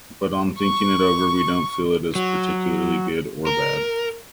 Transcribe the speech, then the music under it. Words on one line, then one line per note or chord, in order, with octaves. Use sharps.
But on thinking it over, we don't feel it is particularly good or bad.
C#6
F#3
A#4